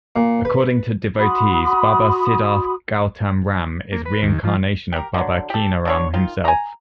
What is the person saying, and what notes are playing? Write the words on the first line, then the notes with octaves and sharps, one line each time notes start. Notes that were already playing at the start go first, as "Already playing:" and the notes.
According to Devotees, Baba Siddharth Gautam Ram is reincarnation of Baba Keenaram himself.
A#2
B4
F#4 B5 C6 D#6
A#3
B4
D#2
F3
G4 A#4
D3 F#3
G4 A4
D3 D4 C#5
D#3 F4
G#5 A#5